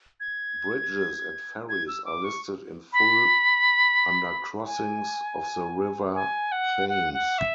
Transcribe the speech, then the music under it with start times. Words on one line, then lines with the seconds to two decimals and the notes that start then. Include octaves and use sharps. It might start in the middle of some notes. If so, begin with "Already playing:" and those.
Bridges and ferries are listed in full under Crossings of the River Thames.
0.20 G#6
1.69 G#6
1.88 E6
2.06 D6
2.24 C#6
2.93 B5
4.66 G#5
6.15 G#5
6.52 F#5
6.89 F#5
7.13 F#5
7.38 E5